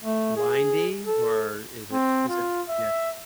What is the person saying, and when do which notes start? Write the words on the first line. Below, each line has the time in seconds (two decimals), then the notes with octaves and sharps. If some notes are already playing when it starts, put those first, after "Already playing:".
Winding, or is it is it Yeah.
0.02 A3
0.37 G#4
1.06 A4
1.93 C4
2.29 F4
2.69 E5